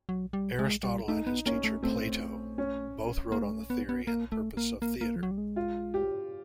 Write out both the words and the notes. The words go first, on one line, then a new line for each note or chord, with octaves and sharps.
Aristotle and his teacher Plato both wrote on the theory and purpose of theatre.
F#3
G3
G#3
G3
A3 D#4
B3
A#3 C#4
A3
A3 C4
C#4
A#3
G#3
A3
B3
B3
A#3
A3
A#3
A#3
A#3
F3
F#3
G3
G#3
F4
G4